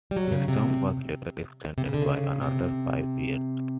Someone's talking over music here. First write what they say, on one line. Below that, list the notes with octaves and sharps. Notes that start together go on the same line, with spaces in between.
His term was later extended by another five years.
G3
F#3
C3
C#3
C3
C3
C#3
D3
C#3
C3